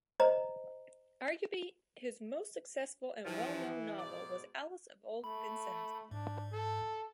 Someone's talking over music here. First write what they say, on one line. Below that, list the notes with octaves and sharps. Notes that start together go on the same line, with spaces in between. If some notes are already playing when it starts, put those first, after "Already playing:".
Arguably his most successful and well-known novel was "Alice of Old Vincennes".
C5 D#5 A#5
G2 E3 F3
G#2 B2 D5
A3 B5
G#2 D4
A4